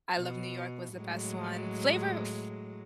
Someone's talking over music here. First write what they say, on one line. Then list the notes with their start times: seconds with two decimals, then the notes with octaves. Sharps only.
I Love New York was the best one. Flavor Fl
0.18 B2
0.95 A2 F#3 G#3